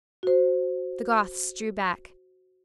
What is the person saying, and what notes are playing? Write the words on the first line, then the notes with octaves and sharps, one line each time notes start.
The Goths drew back.
F#4 C5